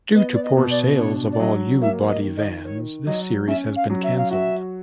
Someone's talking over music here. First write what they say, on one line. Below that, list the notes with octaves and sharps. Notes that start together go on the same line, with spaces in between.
Due to poor sales of all U-Body vans, this series has been cancelled.
B3 D#5
D5
D#5
B2
D5
D4 C#5
D5
F#3 D#5
A#3 E5
D#5
D#3
D#5
D#3 C#5
F#3 D#5
C#4 E5
F5
F#3
E5
F5
F#4 E5